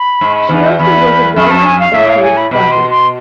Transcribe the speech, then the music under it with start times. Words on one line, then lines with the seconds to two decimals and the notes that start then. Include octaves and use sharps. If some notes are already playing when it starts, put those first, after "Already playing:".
She also was a diarist and correspondent.
Already playing: B5
0.21 G#2
0.49 E2
0.79 E2 B5
1.36 F2 B5
1.51 A5
1.65 G#5
1.80 F5
1.94 A2 E5
2.08 F5
2.23 G#5
2.37 B5
2.51 B2 B5
2.71 C6
2.90 C6